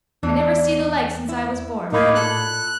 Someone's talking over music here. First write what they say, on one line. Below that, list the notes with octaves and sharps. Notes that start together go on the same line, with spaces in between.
I never see the like since I was born.
E2 E3 D4
E4
A2 A#3 D#4 B5 G#6
A#2 A4 F#6